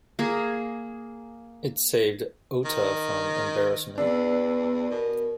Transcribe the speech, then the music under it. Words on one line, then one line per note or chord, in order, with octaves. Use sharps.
It saved Ota from embarrassment.
A#3 G#4
D#3
E2 B3 D4 B4 E6
B2 A#4